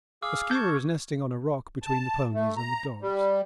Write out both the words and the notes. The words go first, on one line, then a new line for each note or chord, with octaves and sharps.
A skua is nesting on a rock between the ponies and the dogs.
G#4 F5 D6 E6 F6
A5 C#6 G6 G#6
A5
A3
A#5
G3